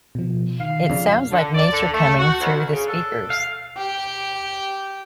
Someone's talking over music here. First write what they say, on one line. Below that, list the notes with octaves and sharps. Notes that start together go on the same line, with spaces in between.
It sounds like nature coming through the speakers.
B2 F3
D#3 F5
F2 C#3 D4
D3
D5
D3
A3
F#4
D2
C#3
D4 A4
F5
G4